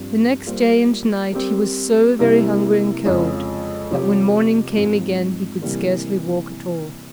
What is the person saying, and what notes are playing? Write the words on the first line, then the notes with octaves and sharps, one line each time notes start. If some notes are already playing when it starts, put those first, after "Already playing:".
The next day and night he was so very hungry and cold that when morning came again he could scarcely walk at all.
Already playing: G2 F3 C4 G4
G3 A#3 F4 C5
G3 C4 G4 A#4
C3 G3 A#3 E4
F2 C#3 F3 G#3 C#4
C3 F3 C4 G4 C#5
G#2 F3 C4
C3 E3 G3 A#3